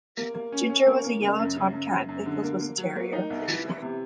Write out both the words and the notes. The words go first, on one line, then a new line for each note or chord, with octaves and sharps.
Ginger was a yellow tomcat, and Pickles was a terrier.
A#3
A#3
C#4
C#4
A#3
A#3
C#3
F#2
C#3
F#2
C#3
F#2
D3
A#3
A#3
F#3
A#3
D#4
C2
E3
E3
C3